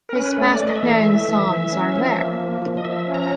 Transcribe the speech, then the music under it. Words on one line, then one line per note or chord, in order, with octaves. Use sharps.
His best-known songs are There!
A#4
C#4 B4
A3
D5
A3
D#5
E5
E3
A3
E3
E3
C#4
F3
A#3
F3
F3
D#5
F3 E5
C#4
A#5